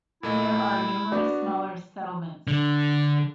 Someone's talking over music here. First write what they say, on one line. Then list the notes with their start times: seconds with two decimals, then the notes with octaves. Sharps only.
There are numerous smaller settlements.
0.23 A#2 A3 E4 D#5
1.12 B3 D4 F#4
2.47 D3